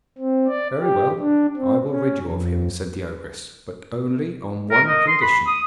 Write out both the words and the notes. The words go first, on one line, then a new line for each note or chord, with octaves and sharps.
'Very well, I will rid you of him,' said the ogress, 'but only on one condition.
C4
D5
G4
D4
C4
C#4
F2
A#4
D#5
C6
B5
D#6